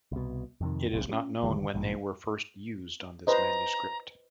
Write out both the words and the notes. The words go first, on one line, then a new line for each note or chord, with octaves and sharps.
It is not known when they were first used on this manuscript.
C2 B2
F2 C3 D#3
D#1 B1 C3
G3 C#4
E1 D3 D#3 G3
A1 G2 A#2
B4 C5 D#5 A#5